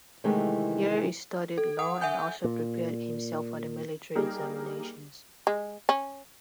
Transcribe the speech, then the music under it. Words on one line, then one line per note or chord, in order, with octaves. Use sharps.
Here he studied law, and also prepared himself for the military examinations.
C3 D#3 E3 G#3 A3
A4
F#5 D#6
E5 F#5 G#5 G6
A#2
G3 A#3 D#4 G4 G#4 A#4
G#3
C#4